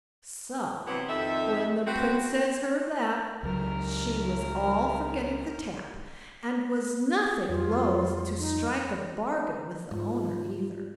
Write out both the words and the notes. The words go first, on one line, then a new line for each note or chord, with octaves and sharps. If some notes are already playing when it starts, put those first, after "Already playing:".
So when the Princess heard that, she was all for getting the tap, and was nothing loath to strike a bargain with the owner either.
C3 E3 F#3 B3 C4 B4
F2 D#3 D#4 A4 E5
C4 F#4 B4
C#2 F#3 A#4
F2 G3 F4
D#4
G#2 F4